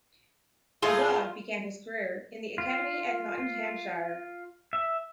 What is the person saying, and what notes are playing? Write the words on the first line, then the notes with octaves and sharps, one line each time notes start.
Azad began his career in the academy at Nottinghamshire.
A2 F4 G#4
F4
F4
E5